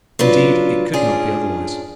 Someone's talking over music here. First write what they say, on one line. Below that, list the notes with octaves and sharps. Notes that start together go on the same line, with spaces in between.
Indeed, it could not be otherwise.
F#3 D4 F4 B4
C#4 D4 F4 G#4